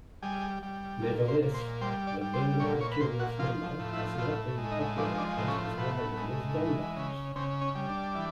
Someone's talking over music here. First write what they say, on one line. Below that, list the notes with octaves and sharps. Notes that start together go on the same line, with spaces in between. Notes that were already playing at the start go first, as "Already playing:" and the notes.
Nevertheless, the Bernard-Killworth number has not been popularized as widely as Dunbar's.
G3 G#4
G3
A#2
C5
A#2
C5
G3 C5
D5
G3
C5
A#2 C#5
C#5
B4
A#2 C5
F#4
F3 F4
A2
E4
A2 F4
G#3
D#4
F3 D4
D4
A2 C4
C#4
C4
A2 B3
G#3
E3
C#3
C#3 C4
C#4
G3
D4
E3